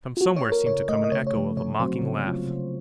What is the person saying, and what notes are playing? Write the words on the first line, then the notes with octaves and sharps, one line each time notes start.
From somewhere seemed to come an echo of a mocking laugh.
F4
A#3 F#4
C#5
F4 A4
A#4
C#3 C#5
A3 C#4 D#5
D#5
C#3 C#5
C#5
F3 A3
C3 C#5
F#3 C4 F#4 C5
C#3
F#3 A#3 F4
C#3